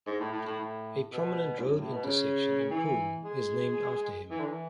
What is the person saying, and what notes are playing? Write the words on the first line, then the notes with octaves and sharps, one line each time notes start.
A prominent road intersection in Pune is named after him.
G#2
A2
A2
A2
A2
B2
G#2
F#2
A2
B2
C#3
E3
G#3
E3
D3
E3